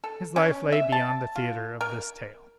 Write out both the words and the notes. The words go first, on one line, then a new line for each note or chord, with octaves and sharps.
His life lay beyond the theatre of this tale.
A4
C#4
E5
A5
F4
A#4